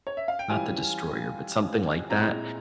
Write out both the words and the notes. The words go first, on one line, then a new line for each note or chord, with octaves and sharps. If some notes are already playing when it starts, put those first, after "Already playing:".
not the destroyer but something like that.
C#5
E5
F5
G5
E3 G3 C#4 F4 G#5
A#2 G#3 C4 E4 A#5